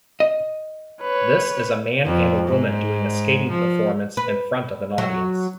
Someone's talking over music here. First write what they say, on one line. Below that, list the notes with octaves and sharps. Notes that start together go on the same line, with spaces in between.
This is a man and a woman doing a skating performance, in front of an audience.
D#5
B4 C#5
F2
G#2
F3
B4
F#3